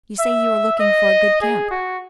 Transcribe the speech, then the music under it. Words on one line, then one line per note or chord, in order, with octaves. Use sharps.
You say you are looking for a good camp.
E5
D#5
G#4
F#4